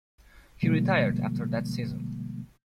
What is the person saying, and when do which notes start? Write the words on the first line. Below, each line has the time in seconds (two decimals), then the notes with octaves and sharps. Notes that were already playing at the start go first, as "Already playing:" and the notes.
He retired after that season.
0.63 B2 D3 F3 G3 G#3 A#3